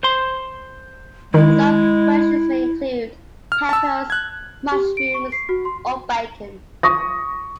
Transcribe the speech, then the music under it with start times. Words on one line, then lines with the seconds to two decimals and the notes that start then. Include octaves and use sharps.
Some versions may include peppers, mushrooms, or bacon.
0.03 C5 C6
1.34 D#3 G#3 E4
3.52 F6
3.69 A5 E6
4.10 F#6 G#6
4.72 G4
4.97 D7
5.14 C#6
5.32 C7
5.49 F#4
5.65 C6
6.83 C#6 D#6 A#6